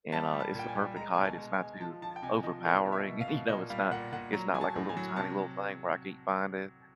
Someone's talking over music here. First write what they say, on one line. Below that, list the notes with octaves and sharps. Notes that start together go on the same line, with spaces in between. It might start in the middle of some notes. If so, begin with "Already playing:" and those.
And, uh, it's the perfect height. It's not too overpowering. You know, it's not it's not like a little tiny little thing where I can't find it.
G3 A5
G3
A5
A#2 G5
G#5
G3
G#3 A#5
B2 G#5
A5
G#3
G#5
G#3
F3 A5
F3 A5
G5
C3 G#5
F3 D#5
B2 A#4
B2
E5
B2
F5
B2
A#2 D#5
G3 F5
A#2 F#5
A#2 F#5
F#3 A#5
F#3 G#5
A5
A2
G#5
F#3
C3 A5